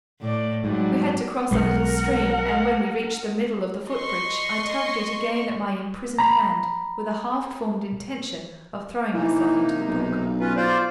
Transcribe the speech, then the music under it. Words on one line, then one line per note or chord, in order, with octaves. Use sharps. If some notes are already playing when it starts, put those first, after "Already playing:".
We had to cross a little stream, and when we reached the middle of the foot-bridge, I tugged yet again at my imprisoned hand, with a half-formed intention of throwing myself into the brook.
A2 D5
G#2 F#3 G3
B1 G#3 A#4 F#5
D#5 C6 C#6
A#5 B5
C3 E3 A#3 D#4
B1
C#4 F4 B4
F4 C5 D5